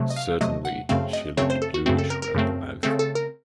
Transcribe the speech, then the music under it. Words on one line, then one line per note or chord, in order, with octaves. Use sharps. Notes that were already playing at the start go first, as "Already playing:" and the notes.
Certainly she looked bluish round the mouth.
Already playing: C3 F#3 A3
D#5
F5
C3 F#3 A3 D#5
F#5
F#2 C#3 A3 C4 F5
D#5
F#2 C#3 A3 C4 C#5
C5
A4
F#4
F#2 C#3 A3 C4 F#4
A4
A#4
A#4
F#2 C#3 A3 C4
C#3 A3 C4 A4
A4
A#4